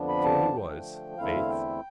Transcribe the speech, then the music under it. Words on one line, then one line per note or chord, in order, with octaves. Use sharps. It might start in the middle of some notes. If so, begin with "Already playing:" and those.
So he was, faith.
Already playing: F2 D3 F3 B3 D4
B5
A5
D3 F3 A3 G5
E2 D3 A3 C4 E4 F5
G5